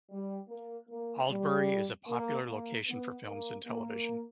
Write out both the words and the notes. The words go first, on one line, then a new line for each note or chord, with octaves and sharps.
Aldbury is a popular location for films and television.
G3
A#3
A#3
G3
A#3
A#3
B3
A#3
A#3